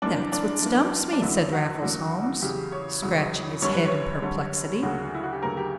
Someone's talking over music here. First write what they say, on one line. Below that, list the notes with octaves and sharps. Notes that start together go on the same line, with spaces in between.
"That's what stumps me," said Raffles Holmes, scratching his head in perplexity.
F#2 E3 A#3 D4
D4
F#2 E3 A#3
D4
E2 D3 F#3 A#3 E4
F#4
E2 D3 F#3 A#3
E2 C#3 F#3 G4
C#5
E2 C#3 F#3
F#2 D3 G3 C#5
B4
C#5
F#2 D3 G3
D2 C#3 F#3 A#3 F#4
E4
F#4
G4
D2 C#3 F#3 A#3 A#4
G4